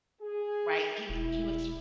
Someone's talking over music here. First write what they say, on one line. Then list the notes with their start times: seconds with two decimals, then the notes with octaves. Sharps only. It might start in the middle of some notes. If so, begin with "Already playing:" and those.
right? He he was
0.21 G#4
1.09 E1 E4